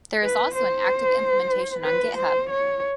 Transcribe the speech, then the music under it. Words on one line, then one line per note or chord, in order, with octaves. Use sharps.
There is also an active implementation on Github.
B4
C5
B4
C5
C#5